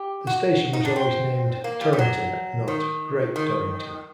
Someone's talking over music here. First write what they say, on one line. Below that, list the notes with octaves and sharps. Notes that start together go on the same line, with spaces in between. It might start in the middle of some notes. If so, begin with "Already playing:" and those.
The station was always named 'Torrington', not 'Great Torrington'.
Already playing: G4
F#4
D#4
D4
C4
A#3
G3
G3
F#3
D#3
D#3